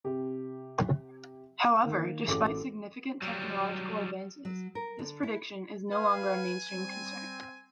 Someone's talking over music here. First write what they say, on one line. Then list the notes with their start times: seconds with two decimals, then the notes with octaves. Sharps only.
However, despite significant technological advances, this prediction is no longer a mainstream concern.
0.04 C3 G4
1.84 D#3 A#3
2.27 A1 F#4 A4 D6
3.22 F#3 G3
4.45 F#3
4.75 A#4
4.99 D3
5.23 E4
5.91 B4 F5 G#5
6.71 G3 C4